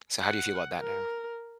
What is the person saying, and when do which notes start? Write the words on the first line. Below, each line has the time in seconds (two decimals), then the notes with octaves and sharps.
So how do you feel about that now?
0.22 F#5
0.80 A#4